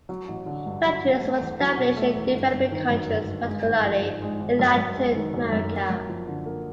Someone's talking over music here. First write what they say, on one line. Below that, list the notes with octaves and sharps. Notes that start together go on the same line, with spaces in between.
Factories were established in developing countries, particularly in Latin America.
F#3
A1
D3
G2
F#3
A1
A3
E2
F#3
B2
A3
E2
G1
G1
D#3
F#2
G1
G1
G#3
G#1
F3
G#2
G#3
G#1
F#2
F#2
G#3
D#3
F#2
F#2
A#3
F#2
F3
D3
A#3